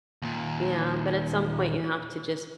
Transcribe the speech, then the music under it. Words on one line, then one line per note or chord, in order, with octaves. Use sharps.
Yeah, but at some point, you have to just
D#2 A#2